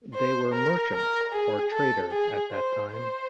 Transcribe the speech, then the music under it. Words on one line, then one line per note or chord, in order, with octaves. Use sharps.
They were merchants or traders at that time.
C5
A#4
A#4
G#4
A4
G#4
C5
C5